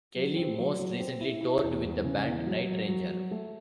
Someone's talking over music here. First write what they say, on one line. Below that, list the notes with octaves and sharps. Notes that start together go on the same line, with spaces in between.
Kelli most recently toured with the band Night Ranger.
F#3
C4
F#3
F#3
C4
E4
E4
E2
E2
C#3
E2
F#3
F#3
F#3
F#3
A3